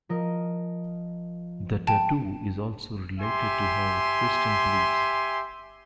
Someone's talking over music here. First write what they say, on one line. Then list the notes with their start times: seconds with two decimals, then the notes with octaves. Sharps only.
The tattoo is also related to her Christian beliefs.
0.09 F3 A#4 D#5
1.87 G5 A5
3.20 G4 E5 G#5 C6